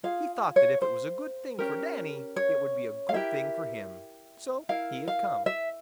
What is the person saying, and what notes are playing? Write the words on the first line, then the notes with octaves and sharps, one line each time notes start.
He thought that if it was a good thing for Danny it would be a good thing for him, so he had come.
F4 G#4 F5
C#5
C5
C#4 G4 A#4
C#5
F5
E4 G4 A#4 E5
E4 A#4 F5
F5
E5